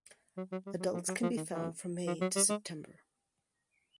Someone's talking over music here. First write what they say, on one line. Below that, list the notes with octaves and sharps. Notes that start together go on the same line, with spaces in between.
Adults can be found from May to September.
F#3
F#3
G3
F#3
F3
F#3
F3
D#3
E3
F3
F#3
G3
G#3